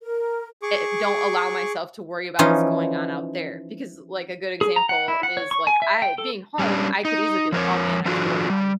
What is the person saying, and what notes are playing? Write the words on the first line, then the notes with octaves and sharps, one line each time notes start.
i don't allow myself to worry about what's going on out there, because, like, a good example is, like, I being home, I could easily be, like, "Oh, man, I should work on"
A#4
G#4 C#6 D6
E3 F3 C#4 D#4 F4 D#5
G#4
A#5
F#5
E4
F#5
C#5
C#6
G#5
E5
G5
A4
G3 C#4 D4
D#4
F3 A#4 B4 C#5
F3 D4 F4 F#4 A4
G3